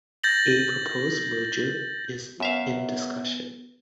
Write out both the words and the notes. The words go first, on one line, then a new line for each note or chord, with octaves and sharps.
A proposed merger is in discussion.
G6 A6 A#6 F#7
F#2 B3 E5 F5